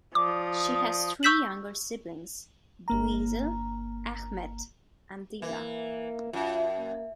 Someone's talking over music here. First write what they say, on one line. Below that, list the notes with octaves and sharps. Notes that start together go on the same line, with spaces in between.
She has three younger siblings, Dweezil, Ahmet, and Diva.
F3 D5 D6 D#6
C#6 E6 G6 B6 E7 F#7
G1 A#3 A#5
E3 A#3
F#2 F4
A#3